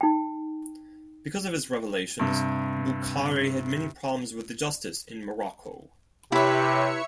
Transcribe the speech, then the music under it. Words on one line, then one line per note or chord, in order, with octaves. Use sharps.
Because of his revelations, Boukhari had many problems with the justice in Morocco.
D#4 G5
G2 C3
C3 E4 G4 B4 C#5 E5 C#7